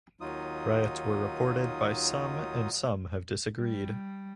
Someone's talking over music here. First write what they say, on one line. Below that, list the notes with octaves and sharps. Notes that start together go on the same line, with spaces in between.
Riots were reported by some and some have disagreed.
D#2 F#3 D#4 F4 D#6
G3